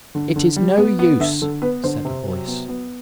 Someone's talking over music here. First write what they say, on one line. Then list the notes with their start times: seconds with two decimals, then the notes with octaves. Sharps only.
"It is no use," said a voice.
0.15 D3
0.36 D3
0.56 G3
0.78 B3
0.99 B3
1.20 D3 E5
1.42 D3 A4
1.62 B3 B4
1.84 D3 C5
2.05 C3
2.26 F#3
2.47 B3
2.68 B3